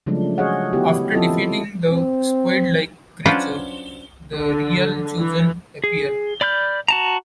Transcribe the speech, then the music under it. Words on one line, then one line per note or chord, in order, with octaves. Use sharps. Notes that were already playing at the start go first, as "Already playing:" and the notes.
After defeating the squid-like creature, the real Chosen appear.
C#3 F3 F#3 G#3 A3 D4
F#4 G#4 C#5 D#5 F5 F#5
D3 B3 E4 F#4 G4
A#3 C4 E4 F4 A4 D#5
C4
F#3 C#4 D4 F4 B4 C5
D3
E3
G#4
D5 B5 F6 G6
F#4 A5 A#5